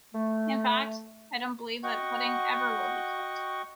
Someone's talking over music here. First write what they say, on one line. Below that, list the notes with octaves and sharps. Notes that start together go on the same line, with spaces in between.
In fact, I don’t believe that pudding ever will be cooked!
A3
F#4 D#5 F#5 G5 C#6